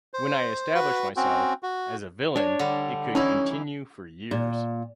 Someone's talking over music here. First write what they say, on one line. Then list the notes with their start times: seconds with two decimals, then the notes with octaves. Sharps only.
When I established myself as a villain it could continue for years.
0.14 C5
0.75 F#4 B4
1.16 C4 C#4 F#4
1.63 F#4
2.36 D4 C#5
2.59 D3 G3
3.15 E3 C#4 D#4 E4
4.31 A#2